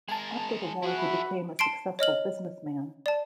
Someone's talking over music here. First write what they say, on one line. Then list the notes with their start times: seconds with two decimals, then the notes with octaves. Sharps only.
After the war, he became a successful businessman.
0.09 G#3 A#4 G#5 A5
0.83 E4 F#4 G#4
0.97 E5 B5
1.59 A5 C6 C7 D7
1.99 C#5 D#5 F6 F#7
3.06 D5 A5